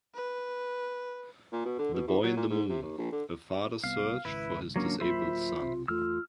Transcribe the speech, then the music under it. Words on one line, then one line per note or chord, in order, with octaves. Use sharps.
The Boy in the Moon: A Father's Search for His Disabled Son.
B4
A#2
B2
D3
B2
E2
F#3
A#2
G#2
C3
D#2
A#1
D3
C2 B3 F5
G#1 C#2 E4 B4
F#3 A#3 C#4 D4
D1 F#3 A#3 F4 C5 E5 B5
B1 C3
E2 A3 F4 E6 F6